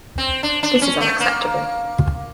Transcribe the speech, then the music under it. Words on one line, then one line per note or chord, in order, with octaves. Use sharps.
This is unacceptable.
C4
D4
D4
C#4
A3
A#3